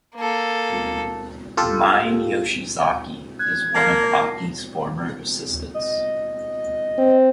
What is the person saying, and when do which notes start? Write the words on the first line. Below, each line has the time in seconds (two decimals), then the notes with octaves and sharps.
Mine Yoshizaki is one of Aki's former assistants.
0.15 A#3 A4
1.57 F4 G4 A4
3.39 F#6 G#6
3.74 A#3 A5 A#6 C7
5.74 D#5
6.98 C4